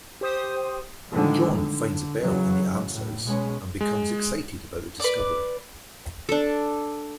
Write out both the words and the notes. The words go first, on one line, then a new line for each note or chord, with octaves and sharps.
Jon finds a bell in the Almshouse and becomes excited about the discovery.
G4 C5 D#6
A2 D3 D#3 F3 G3 G#3
D3
C#3 E3 F#3
A2
B2 G#3 C#4
G#3
B4 D5
D4 A4